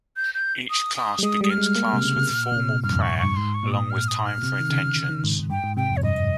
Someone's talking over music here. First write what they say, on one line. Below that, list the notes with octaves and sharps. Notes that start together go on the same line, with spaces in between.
Each class begins class with formal prayer along with time for intentions.
G6
G6
D#6
D#6
G3
G#3 D#6
G3 D#6
F6
G#3
A#3
C3
C#3
C3
A#2
A#2
C3
G2 F6
F2
G2 C#6
F2
G2 C#6
G#2 C6
C#6
A#2
D#6
F6
D#6
F6
A#2
C3
D#3
C#3
C#3
D#3
G#2
G#2
G2 G5
G#2
C3 G5
F2
C#5
G2 D#5